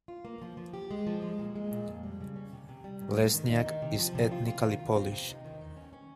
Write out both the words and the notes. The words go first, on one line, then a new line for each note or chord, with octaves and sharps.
Lesniak is ethnically Polish.
F4
A#3
F3
F3
G4
G#3
F3
G#3
A#2
G#3
A#2
F2
G3
C#3
C#4
C3
C3
G3
G#2
G#2
D#3
D#4
D#3
C3
F3
C3
F4
F4
D#3
F4
C4
C3
D#4
D#3
D#4
C#4
C#4